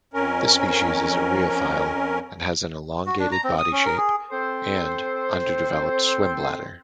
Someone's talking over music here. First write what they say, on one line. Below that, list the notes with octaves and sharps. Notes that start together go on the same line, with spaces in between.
This species is a rheophile and has an elongated body shape and underdeveloped swimbladder.
F2 C#4 A#4
F#4
D4
A#5
C4
D#6
C#4
A#4
G#4
C4 A4 C5